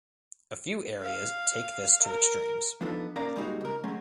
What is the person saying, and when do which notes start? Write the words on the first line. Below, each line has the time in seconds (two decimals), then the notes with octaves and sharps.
A few areas take this to extremes.
1.02 F5
2.03 A#4
2.81 F3 B3 D4 D#4 A4
3.16 A#2 C#4 A#4 D5 F5 A#5
3.36 A#2 G3 G#3 C4 D#4 F#4
3.61 C#2 A#4
3.84 F#3 G#3 A3 C4 C#4